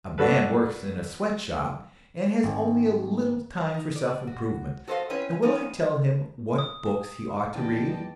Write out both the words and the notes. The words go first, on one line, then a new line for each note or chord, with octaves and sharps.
A man works in a sweatshop, and has only a little time for self-improvement, and will I tell him what books he ought to read?
D4 F#4 A4 B4
G#1
D#4
D5
F#4
F#4 A4 C5 D5 D#5 F5
C4 C#4 E4 B4 C#5
F3 B3 D#4 G4 G#5
D#6
E2 D#3 A#3 B3 D5 D#5 G5 A5